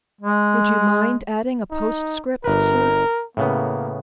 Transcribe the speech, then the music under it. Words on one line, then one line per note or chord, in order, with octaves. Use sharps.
"Would you mind adding a postscript, sir?"
G#3
D#4
G1 A#4 B4
A2 C#3 A#3 B3